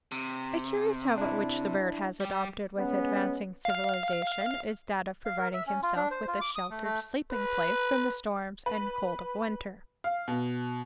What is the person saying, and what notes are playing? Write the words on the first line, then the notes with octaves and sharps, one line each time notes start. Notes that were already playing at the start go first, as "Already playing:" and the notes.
A curious habit which the bird has adopted with advancing civilization is that of providing himself with a sheltered sleeping place from the storms and cold of winter.
C3
D4 E4
G3 G4
G#3 B3 C#4
F5
F5
A#4
E5
C#4
F4
D4
C5
F4
D6
D#6
A3
A3
B4
B4
F5
B2